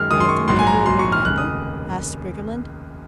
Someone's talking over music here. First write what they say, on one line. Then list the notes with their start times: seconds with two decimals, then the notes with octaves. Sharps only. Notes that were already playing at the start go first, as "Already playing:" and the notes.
"Do you think you will remember?" asked Briggerland.
Already playing: F#2 D#3 G#3 F6
0.10 F#2 D#3 G#3 D#6
0.20 C6
0.29 C#6
0.48 A#1 G#2 F#3 C6
0.59 G#5
0.67 A#5
0.86 A#1 G#2 F#3 C6
0.99 C#6
1.12 F6
1.24 F1 D#2 C#3 G#3 F#6
1.38 D#6